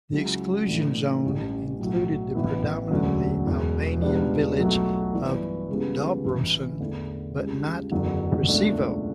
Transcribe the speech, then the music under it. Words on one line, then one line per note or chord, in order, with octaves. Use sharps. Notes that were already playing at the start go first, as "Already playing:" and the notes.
The exclusion zone included the predominantly Albanian village of Dobrosin, but not Preševo.
C#2 C#3 F#3 C#4 E4
A2 E3 A3 D4
A1 A2 G3 C#4
B1 A2 F#3
A1 A2 E3 B3 E4
E1 D2 D3 F#3 C#4
E1 E2 B2
C#2 B2 G3 B3 D4
B1 B2 F#3 A3
G2 E3 B3 E4
C#2 C#3 G3 B3
A1 A2 E3
E2 D3 A3
C#2 C#3 G3
F#1 E2 D3 F#3
C#2 B2 A3 D4